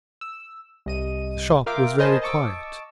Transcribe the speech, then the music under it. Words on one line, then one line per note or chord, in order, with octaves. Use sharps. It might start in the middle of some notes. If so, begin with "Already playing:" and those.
The shop was very quiet.
E6
C2 D#5 D#7
F4 A#4 E5 F5 G5 D6
A#4 C5 D#5 G#5 A5 B5
D#5 A5 C#6 D6 E6